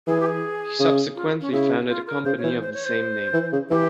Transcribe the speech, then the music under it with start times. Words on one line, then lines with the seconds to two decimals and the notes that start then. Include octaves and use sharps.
He subsequently founded a company of the same name.
0.07 E3 G#4
0.20 G4
0.26 G#4
0.80 C#3
1.16 F4
1.41 C#4
1.52 C#3 E4
1.88 F4
2.07 A#4
2.24 C#3 C5
2.38 C#5
2.43 E3
2.49 C5
2.61 C5
2.74 C#5
2.85 C5
3.34 E3
3.53 C#3
3.70 E3 G4